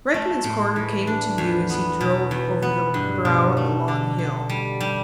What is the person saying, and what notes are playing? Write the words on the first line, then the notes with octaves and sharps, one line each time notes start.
Rykman's Corner came into view as he drove over the brow of a long hill.
A3
A2
E3
D4
E2
B3
B2
E2
B3
G2
B2
A3
D3
D3
G3
G3